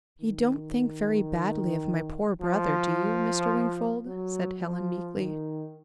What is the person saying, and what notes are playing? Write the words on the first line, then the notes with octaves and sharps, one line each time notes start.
"You don't think very badly of my poor brother, do you, Mr. Wingfold?" said Helen, meekly.
D#3
F3
F#3
F3
D#3